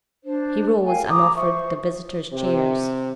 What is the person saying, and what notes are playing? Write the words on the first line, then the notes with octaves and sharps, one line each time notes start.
He rose and offered the visitors chairs.
D4 C5
A#4 F5 G5 G#5
A#5 D6 D#6
C5 E5 C#6
C3